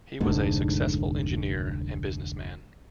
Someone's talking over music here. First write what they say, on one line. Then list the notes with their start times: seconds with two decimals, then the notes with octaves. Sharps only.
He was a successful engineer and businessman.
0.21 F1 D2 G#2